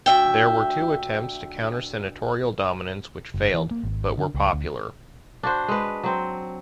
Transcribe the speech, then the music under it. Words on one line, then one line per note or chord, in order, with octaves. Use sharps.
There were two attempts to counter senatorial dominance which failed, but were popular.
D2 E5 G5
F#1
E3
A#3
G#1
D3
C#2
D2
D4 F#4 C5
G#3 B4
F#3 C4